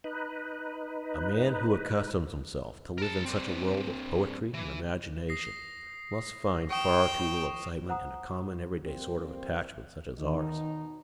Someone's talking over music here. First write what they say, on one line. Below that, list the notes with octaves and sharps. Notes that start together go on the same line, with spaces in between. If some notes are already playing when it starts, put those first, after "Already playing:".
A man who accustoms himself to live in such a world of poetry and imagination must find far too little excitement in a common, every-day sort of attachment such as ours.
D#4 B4
A#4 A5
C4 D4
E3
D#6 A#6 C7
G5 C#6 D#6 E7
C5 F#5 A#5 D#6
G3 A#3 C4
B2 D#3 D#4